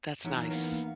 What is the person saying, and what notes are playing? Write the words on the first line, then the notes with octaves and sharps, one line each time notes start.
That's nice,
E2 E3 F#3 C#4 D#4
A#3 B3 F5